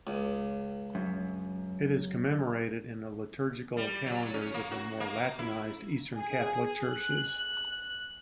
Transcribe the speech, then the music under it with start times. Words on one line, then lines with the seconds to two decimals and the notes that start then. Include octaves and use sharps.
It is commemorated in the liturgical calendars of the more Latinized Eastern Catholic Churches.
0.07 C#2
0.95 F#2
3.77 G3
4.06 F#3
4.34 C#4
4.54 A#3
4.71 F#4
5.00 A#3
5.39 E4
6.17 G#4
6.88 F#6